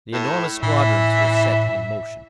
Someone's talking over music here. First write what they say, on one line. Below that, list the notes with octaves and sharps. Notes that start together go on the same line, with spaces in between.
The enormous squadrons were set in motion.
A2
A2 E3 E5